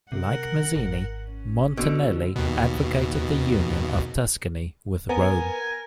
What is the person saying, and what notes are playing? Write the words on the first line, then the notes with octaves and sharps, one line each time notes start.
Like Mazzini, Montanelli advocated the union of Tuscany with Rome.
C3 A#4 F#5
G#1
C#4
B2 D3
D#2 B2
B3 A#4 G#5